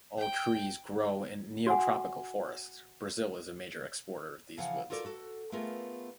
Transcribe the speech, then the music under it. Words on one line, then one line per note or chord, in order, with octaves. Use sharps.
All trees grow in neotropical forests; Brazil is a major exporter of these woods.
G5
F#4 F#5 G#5
C#3 E3 F3 F5 F#5 G#5
F4 F#4 A4 A#4 D5
F#4 A4
A3 B3 F4 G#4 A#4